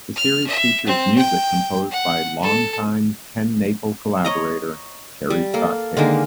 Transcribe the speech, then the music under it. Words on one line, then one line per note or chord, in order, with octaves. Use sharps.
The series features music composed by longtime TenNapel collaborator, Terry Scott Taylor.
F6
E5
C4
G5
F#5
A4
C#5 D#5 A#5
G3
A#3 A4
D3 D#3 G#3 A#3